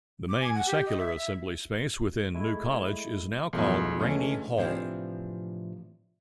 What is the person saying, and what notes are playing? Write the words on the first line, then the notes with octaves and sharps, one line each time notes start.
The main secular assembly space within New College is now called Rainy Hall.
D6
G#5
F#5
G4
D#5
E5
E5
G#3 A3 E4
B1 E2 B2 F3 G#3 A3
D3 E3 G#3 A3 C#4
A2 C3 E3 F3 C4 D4